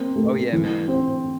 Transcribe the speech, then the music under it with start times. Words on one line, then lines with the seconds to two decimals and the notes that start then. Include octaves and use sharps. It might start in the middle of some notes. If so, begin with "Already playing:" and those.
Oh, yeah, man.
Already playing: A#3 C4
0.16 A3
0.53 E3
0.88 C4